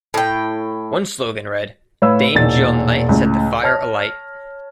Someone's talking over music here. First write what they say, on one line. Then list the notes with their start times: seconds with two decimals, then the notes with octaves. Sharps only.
One slogan read: Dame Jill Knight Set The Fire Alight!
0.14 A2 G5
2.02 A2 B4 C#5 F5 B5 E6
2.35 E1 A#2 D#4 A6
3.09 C#2 A2 C#3
3.63 C#5 A5 F6 A#6